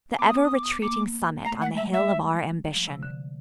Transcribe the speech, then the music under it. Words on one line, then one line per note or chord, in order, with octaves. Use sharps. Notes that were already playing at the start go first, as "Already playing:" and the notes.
The ever-retreating summit on the hill of our ambition.
B3 D6
D#6
D6
D#6
D6
D#6
D6
A#3 D6
A3 A#5
A3 F#5
G#3
G3 E5
E5
F3
C3
D3